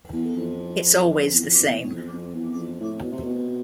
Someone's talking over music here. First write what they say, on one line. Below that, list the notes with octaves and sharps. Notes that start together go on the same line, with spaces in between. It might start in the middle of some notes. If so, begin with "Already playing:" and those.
It's always the same.
E2
F2
E2
F2
E2
F2
F2
E2
F2
A2
B2
C3
B2